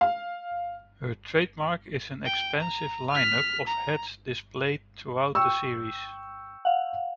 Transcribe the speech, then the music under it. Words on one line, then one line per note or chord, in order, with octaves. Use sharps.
Her trademark is an expansive lineup of hats displayed throughout the series.
F5
G5
A#5
F6 B6
A#5
G5 C#6 E6
F5 F#5